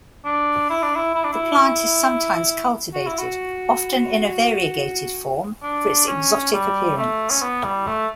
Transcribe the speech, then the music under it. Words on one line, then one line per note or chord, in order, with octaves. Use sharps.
The plant is sometimes cultivated, often in a variegated form, for its exotic appearance.
D4
E4
D4
E4
E4
D4
E4
F#4
E4
F#4
D4
C#4
G3
A3
C#4
B3
G3
A3